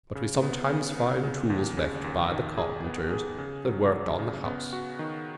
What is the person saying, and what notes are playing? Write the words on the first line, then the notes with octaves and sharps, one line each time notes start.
But we sometimes find tools left by the carpenters that worked on the house.
C#3
B3
C#3
B3
C#3
D#2
C#3
D#2
D#3
G#4
B3
G#4
C#3
F#3
F#3
C#3
B3
F#4
D#3